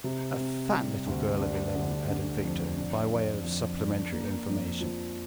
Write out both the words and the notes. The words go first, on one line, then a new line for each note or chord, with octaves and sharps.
"A fat little girl of eleven," added Victor by way of supplementary information.
C3
C4
G3
D2
D4
D3
D4
F2
D4
F2
F2
D4
A#3
F2
F3